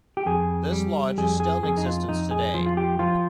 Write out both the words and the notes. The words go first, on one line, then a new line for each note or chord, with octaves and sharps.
This lodge is still in existence today.
G4
F2 G#4
G3
F2 G#4
G#4
F2 G#4
D#4
F4
F2 D#4
G#4
F3
F4
G4
F3 F4